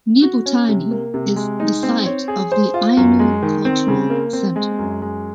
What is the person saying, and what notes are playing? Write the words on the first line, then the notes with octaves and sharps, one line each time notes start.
Nibutani is the site of the Ainu Cultural center.
F#4
C#4
C3
A#3
C3
G#3
D#4
C4
C#5
G#4
C5
F4
F#2
G#3
D#3
C4
C#3
A#3
C4
G#3
F#2
G#3